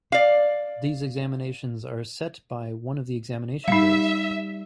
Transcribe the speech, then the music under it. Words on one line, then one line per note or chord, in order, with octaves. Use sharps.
These examinations are set by one of the examination boards.
D5 F5
G3 D#4 E5 F5